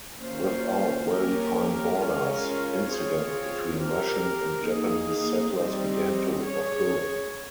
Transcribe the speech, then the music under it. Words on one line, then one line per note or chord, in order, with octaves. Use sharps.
Without well-defined borders, incidents between Russian and Japanese settlers began to occur.
A#3 C#4 F4 C5
A#3 C#4 G4 A#4
G#3 C#4 F4 A#4
C4 F4 G#4 C#5
C4 G4 A#4
A#3 D#4 G#4
G3 C4 D#4 G4
C#4 G#4 C#5